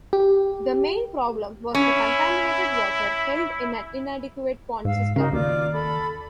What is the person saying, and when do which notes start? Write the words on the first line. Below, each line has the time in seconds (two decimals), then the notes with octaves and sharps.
The main problem was the contaminated water held in an inadequate pond system.
0.13 G4
1.75 C#4 E4
4.85 G#2 F5 E6
5.16 C#3 D#4 F#4 A#4
5.33 D#2 F4 D5 D6
5.73 A4 B5